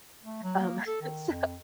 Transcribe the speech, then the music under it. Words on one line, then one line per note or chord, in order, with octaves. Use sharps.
Um, so
A3
F#3
A#3
A4
D#3
F2